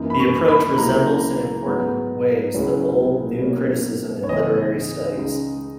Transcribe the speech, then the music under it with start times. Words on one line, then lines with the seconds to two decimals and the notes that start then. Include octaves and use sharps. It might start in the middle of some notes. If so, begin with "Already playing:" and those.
The approach resembles in important ways the old New Criticism in literary studies.
Already playing: F#2 E3 A#3 D#4
0.10 B5
0.20 C#6
0.48 B5
0.78 C#2 C#3 F#3 A#3 E4 A#5
1.66 G#2 F#3 B3
2.54 C#2 C#3 F#3 C#4 E4
3.41 B2 F#3 A#3 C#4
4.23 C#5
4.29 C#2 C#3 E3 G#3 B3 D#5
5.17 C#2 C#3 G#3 D#4